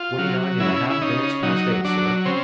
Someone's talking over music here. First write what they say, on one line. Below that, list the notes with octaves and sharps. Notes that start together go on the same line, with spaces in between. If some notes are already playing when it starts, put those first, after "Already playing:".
"Twenty-nine and a half minutes past eight, sir."
Already playing: F4
F#3
C#3 E4
E4
C#3 D#4
F#3 D#4
F#3 D4
C#3 C4